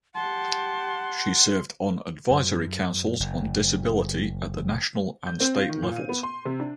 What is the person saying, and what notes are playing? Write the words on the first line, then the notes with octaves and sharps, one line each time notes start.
She served on advisory councils on disability at the national and state levels.
G4 F#5 A5 C6
F#2
F#1
G6
C4
F4
D#3
A#2
D#7
B3
C6
C3
D4